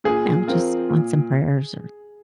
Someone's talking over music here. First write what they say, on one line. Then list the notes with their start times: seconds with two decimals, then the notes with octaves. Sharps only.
you know, just want some prayers or
0.04 A#2 G#4
0.48 F3 C4 F4 A#4
0.89 A#2